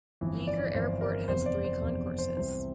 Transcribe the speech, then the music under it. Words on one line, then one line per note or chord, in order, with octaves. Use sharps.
Yeager Airport has three concourses.
G1 F2 E3
D5
G1 F2 E3 C5
A#4
F1 E2 C3 C5
D5
C5
F1 E2 C3
C5
C2 C3 E3 C5